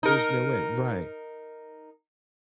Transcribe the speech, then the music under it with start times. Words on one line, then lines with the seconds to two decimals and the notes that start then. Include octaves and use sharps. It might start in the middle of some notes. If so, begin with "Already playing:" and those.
There's no way. Right.
0.03 D#4 A#4